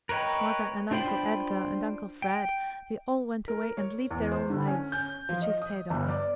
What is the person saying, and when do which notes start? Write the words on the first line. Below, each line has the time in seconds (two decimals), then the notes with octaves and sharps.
Mother and Uncle Edgar and Uncle Fred--they all went away and lived their own lives, but she stayed on.
0.09 A#4 B4 C#5 D#5 G5
0.91 D4 F4 C5 G5 B5
2.22 G5
3.48 A#4
3.77 C#5
4.10 E2
4.32 C5
4.50 D3
4.67 C#4
4.92 G6
5.29 F3
5.42 D#5
5.62 D#6
5.90 G1
6.08 D5